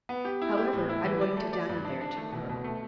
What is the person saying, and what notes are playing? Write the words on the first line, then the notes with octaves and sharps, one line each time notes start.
"However, I'm going to dine there to-morrow."
B3
G4
E4
G4
A2
E4
E3
D5
A3
D5
G2
D4
D4
A3
B2
B2
A3